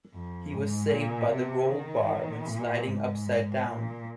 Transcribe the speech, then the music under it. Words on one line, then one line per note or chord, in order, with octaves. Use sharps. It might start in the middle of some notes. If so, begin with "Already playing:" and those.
He was saved by the roll bar when sliding upside down.
F2
G#2
A#2
C3
D#3
A#2
G#2
A#2